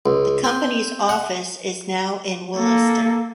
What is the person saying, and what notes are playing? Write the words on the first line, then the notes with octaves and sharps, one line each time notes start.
The company's office is now in Wollaston.
C#2
C4
F#5
A#3 A4